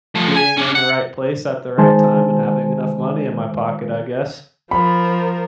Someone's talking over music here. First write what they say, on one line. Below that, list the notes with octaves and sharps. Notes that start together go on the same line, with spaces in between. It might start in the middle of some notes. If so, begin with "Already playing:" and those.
being in the right place at the right time, and having enough money in my pocket, I guess.
F3 A3
G#5
C#4 D4
F#5
D#3 G#3 C5 G#5 A5
F3 A#4 B5